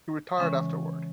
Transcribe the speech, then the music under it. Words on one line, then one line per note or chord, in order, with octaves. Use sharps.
He retired afterward.
C#3 E3 G#3 C#4